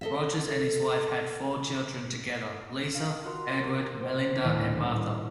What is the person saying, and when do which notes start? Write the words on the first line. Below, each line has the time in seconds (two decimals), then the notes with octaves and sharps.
Rogers and his wife had four children together: Lisa, Edward, Melinda and Martha.
0.01 A4 D#5 E5
2.94 F5
3.25 F4 F#4 A#4 C6
4.01 C5 G5
4.43 D2 A2 D#3 B6
4.77 D#1 A2 C#4